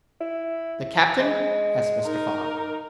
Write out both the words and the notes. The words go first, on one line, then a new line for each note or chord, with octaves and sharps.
"The captain?" asked Mr. Fogg.
E4
G#3
D#4 A#4